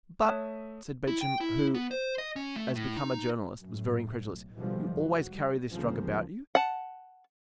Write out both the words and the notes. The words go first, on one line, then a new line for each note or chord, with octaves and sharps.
"But," said Beauchamp, who, as became a journalist, was very incredulous, "you always carry this drug about you?"
A3 C#5 E5 A5 D#6 F#6
E4
G5
E4
B3
C5
D#5
C#4
A3
A2
D#4
F#2 A2
B1
B2 D3 E3 F3 G3 G#3
F1 F#3
G3
D2 C#3 F3 G3 A#3
F#5 A5